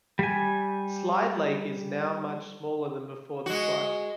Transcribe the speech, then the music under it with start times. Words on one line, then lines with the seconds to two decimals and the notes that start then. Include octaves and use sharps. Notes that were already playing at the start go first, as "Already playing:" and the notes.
Slide Lake is now much smaller than before the flood.
0.19 G3 G#5
3.46 G#3 F#4